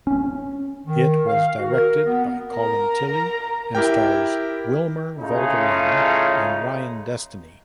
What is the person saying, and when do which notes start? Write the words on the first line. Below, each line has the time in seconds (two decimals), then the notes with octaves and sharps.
It was directed by Colin Tilley and stars Wilmer Valderrama and Ryan Destiny.
0.07 C#4
0.87 D#3
1.27 F5
1.58 F#4
1.71 A#4
2.06 B3
2.51 A#4 A#5
3.75 E4 G4 A#4 G5
5.20 A2 C#3 D#4 F4 G#4